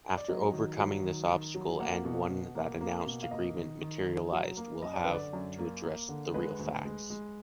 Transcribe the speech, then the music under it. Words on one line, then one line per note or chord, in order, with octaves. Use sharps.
After overcoming this obstacle and one the announced agreement materializes, will have to address the real facts.
D5
F#3 D#5
D#3
F#3
D#3
D#3
F#3
A#3 F#5
B2
B2
A#3
A#3
B2
F5
A#3 D#5
D#3
D#3
D#3
F#3
A#3
F#2 D#5
D5
D3 B4
D5
F#2
A#3
A#3
D3
G#3 B4
D2
G#3
G#3